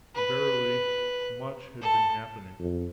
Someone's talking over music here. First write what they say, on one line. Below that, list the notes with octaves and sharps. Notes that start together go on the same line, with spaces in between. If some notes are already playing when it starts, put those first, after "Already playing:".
Verily, much had been happening.
B4
A4
F2